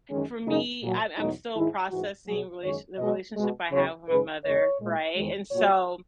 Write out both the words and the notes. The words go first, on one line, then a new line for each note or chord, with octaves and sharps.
for me, I'm I'm still processing relation the relationship I have with my mother, right, and so
F#2 D#3 G#3 C#4
F#2 C#3 G#3 D#4
A#2 F#3
E2 B2 F#3 D#4
G#2 D#3 G#3 E4
G#2 E3 G#3 F#4
B2 F#3 G#4
F#2 D#3 G#3 C#5
B2 G#3 D#5
B2 G#3
E2 C#3 F#3 C#5
F#2 C#3 G#3 B4
E2 C#3 G#3 C#5
A#2 G#3
E2 D#3 G#3
A#2 F#3 C#5